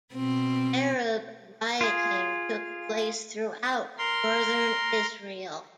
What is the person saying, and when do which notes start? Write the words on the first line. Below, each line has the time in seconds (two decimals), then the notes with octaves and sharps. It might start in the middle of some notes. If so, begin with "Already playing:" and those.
Arab rioting took place throughout northern Israel.
0.14 B2 C4
1.81 F4 G#4
3.98 A#4 C6